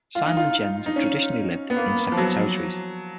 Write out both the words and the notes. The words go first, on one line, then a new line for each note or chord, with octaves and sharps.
Simes and Gens have traditionally lived in separate territories.
F4
D#4
F4
D#4
C#4
B3
A#3
F3
F#3